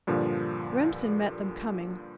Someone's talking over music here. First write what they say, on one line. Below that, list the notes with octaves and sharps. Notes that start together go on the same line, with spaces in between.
Remsen met them coming.
G2 A#2 D3 F3